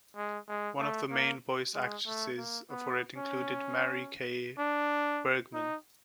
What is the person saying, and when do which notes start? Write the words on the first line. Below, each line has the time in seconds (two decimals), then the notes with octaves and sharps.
One of the main voice actresses for it included Mary Kay Bergman.
0.16 G#3
0.48 G#3
0.79 A3
1.11 A#3
1.74 G#3
2.06 A3
2.37 A#3
2.70 B3
3.17 C#4
4.58 D4
5.53 D#4